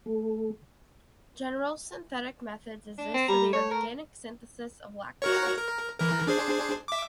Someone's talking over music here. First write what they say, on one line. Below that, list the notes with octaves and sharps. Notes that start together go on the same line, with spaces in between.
General synthetic methods exist for the organic synthesis of lactams.
A3
D4
C4
G3 A#5
A3 C#5
A#4
F#4 A#4 C#5
A#4
E3 A#4
D4 G#4 C5
E5 D6